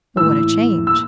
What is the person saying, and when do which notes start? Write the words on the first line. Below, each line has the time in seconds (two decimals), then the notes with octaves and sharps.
But what a change!
0.16 A2 E3 E6
0.87 E6